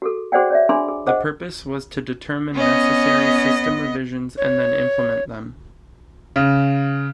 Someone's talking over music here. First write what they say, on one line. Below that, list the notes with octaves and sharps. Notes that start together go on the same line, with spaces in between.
The purpose was to determine necessary system revisions and then implement them.
F#4 G#4 A4
F#4 G#4 C5 D5 F#5 G5
C#5 D5 E5
D4 G#4 G#5 B5 C6
G#4
G#4 C5 D#5 F#5
B3 C#4 D#5
C#5
C#3